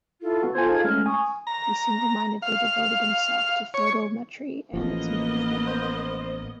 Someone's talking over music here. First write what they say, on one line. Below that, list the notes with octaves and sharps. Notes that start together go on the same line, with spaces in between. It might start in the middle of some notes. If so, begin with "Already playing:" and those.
He singlemindedly devoted himself to photometry and its improvement.
E4 F4 A4
B3 F#4
F4 A4 C5 G#5 G#6
D#4 G#4 F5
G#3 A3 C#4 F6
G#5 C#6 D#6
A#5
F5
C#5
A1 F3 A#3 B3 D#5
C5